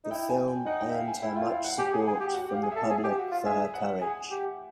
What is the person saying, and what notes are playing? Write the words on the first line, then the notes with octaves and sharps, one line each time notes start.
The film earned her much support from the public for her courage.
D#4
E4 G5
G#5
G5
D#4 F#5
G5
E5
F5
G#5
E4 G5
F4 G5
E4 F5
F#5
G4 G#5
G#4
G#4 G5
G4
F#4 F#5
G4
F5
G#4
A4 E5
G#4 E5
G4
F#4
F4
G#4 E5
E5
F#5
G#4 G#5
G4